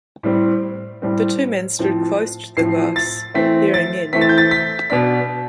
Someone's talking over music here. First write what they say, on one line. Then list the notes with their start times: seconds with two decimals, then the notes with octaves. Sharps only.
The two men stood close to the glass, peering in.
0.23 A2 G3 C4
1.02 A2 G3 C4
1.79 A2 F3 C4
2.57 A2 F3 C4 C7
2.96 A6
3.34 E3 A3 C4 B6
3.74 A6
4.13 E3 A3 C4 B6
4.21 A6
4.29 G6
4.38 A6
4.51 B6
4.90 B2 B3 D4 B6